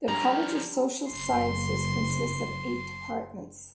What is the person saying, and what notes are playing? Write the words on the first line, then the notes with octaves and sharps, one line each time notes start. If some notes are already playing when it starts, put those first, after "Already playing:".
The College of Social Sciences consists of eight departments.
F3 G3 C#4 D4 A#5
F#1 C6